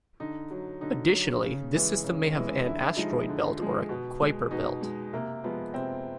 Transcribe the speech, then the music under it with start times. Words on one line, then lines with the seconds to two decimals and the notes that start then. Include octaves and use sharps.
Additionally, this system may have an asteroid belt or a Kuiper belt.
0.20 D3 D#4
0.51 F#3
0.81 D3 D#4
1.12 F#3
1.43 C#3
1.75 E3 G#3
2.04 C#3
2.35 E3 G#3
2.66 D3 E4
2.97 F3 G#3 D#4
3.29 D3
3.59 F3 G#3
3.89 B2
4.21 G#3
4.51 B2 D#4
4.81 G#3
5.13 C3 A#3
5.44 F3 G#3 B3
5.74 C3 C4